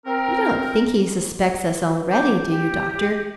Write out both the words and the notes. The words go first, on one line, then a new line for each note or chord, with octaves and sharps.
"You don't think he suspects us already, do you, doctor?"
C4 A#4
C#4 D6 G6
G4